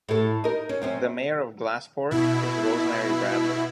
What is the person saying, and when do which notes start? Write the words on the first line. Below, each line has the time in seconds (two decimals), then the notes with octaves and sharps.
The mayor of Glassport is Rosemary Bradley.
0.09 A2 A4
0.44 D#4 A#4
0.69 C#4
0.82 F#2 C4 C#4
2.11 B2 E4